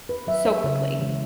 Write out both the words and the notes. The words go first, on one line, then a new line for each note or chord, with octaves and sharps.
so quickly.
B4
F#3 E5
C#5
C#3
E3 G#3